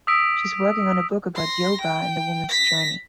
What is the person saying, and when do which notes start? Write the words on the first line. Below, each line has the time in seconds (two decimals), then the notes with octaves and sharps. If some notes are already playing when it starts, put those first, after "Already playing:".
She is working on a book about yoga and the woman's journey.
0.07 D#6 E6 B6 D7
1.35 C6 A#6
1.81 G5
2.49 A#6 B6